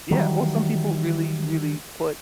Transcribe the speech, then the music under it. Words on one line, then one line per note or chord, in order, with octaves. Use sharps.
yeah, well, some people really, really put
D#3 E3 F#3 G3